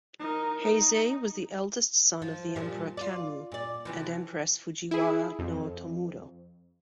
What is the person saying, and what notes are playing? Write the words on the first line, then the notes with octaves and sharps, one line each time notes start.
Heizei was the eldest son of the Emperor Kanmu and empress Fujiwara no Otomuro.
D#4 A#4
D#4
F3
A#2 F3 G3
F4 D5
A#2 D5
C3 E3 F3
E4 G#4
F2